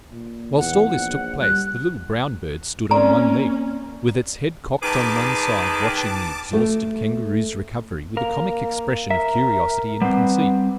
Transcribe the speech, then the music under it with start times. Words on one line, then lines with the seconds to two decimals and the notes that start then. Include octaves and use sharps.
Whilst all this took place, the little brown bird stood on one leg, with its head cocked on one side, watching the exhausted Kangaroo's recovery with a comic expression of curiosity and conceit.
0.12 A#2
0.58 E2 F#5
0.91 A#1
1.41 G3 F#6
2.91 A#3 C4 C#4 D5 A#5
4.83 D#3 G#4 B4 A5 D6
6.53 A3
8.17 A#3 A#4
9.11 A#4 E5
10.02 G3 B3 C4